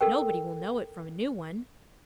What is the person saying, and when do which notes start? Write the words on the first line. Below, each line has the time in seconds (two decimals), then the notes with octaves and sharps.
Nobody will know it from a new one.
0.01 A4 A#4 G5